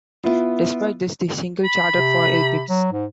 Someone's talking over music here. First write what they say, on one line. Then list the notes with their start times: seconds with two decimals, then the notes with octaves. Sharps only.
Despite this, the single charted for eight weeks.
0.24 B3 E4 F4
1.65 B5
1.96 C3
2.69 F#3
2.93 G#2